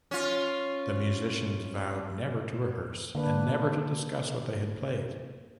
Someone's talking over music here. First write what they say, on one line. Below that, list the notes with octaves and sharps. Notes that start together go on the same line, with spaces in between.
The musicians vowed never to rehearse and never to discuss what they had played.
C#4 F4
D3 A#3 D4 B4